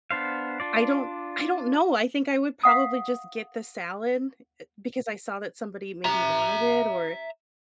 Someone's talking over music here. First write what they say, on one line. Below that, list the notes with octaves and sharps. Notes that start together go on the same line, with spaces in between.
I don't I don't know, I think I would probably just get the salad, eh, because I saw that somebody maybe wanted it or
B3 D4 C5 F5
D4 F4 D5
F5 F#5 D#6
E5 A#5